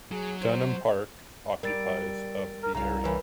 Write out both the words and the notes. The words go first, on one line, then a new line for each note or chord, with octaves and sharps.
Dunham Park occupies of the area.
F#3 G#4
C5
G3 A#4 A6 D7
A#4
C2 C#3 F5 A#5
C#3 E3 C#4 A#4 B4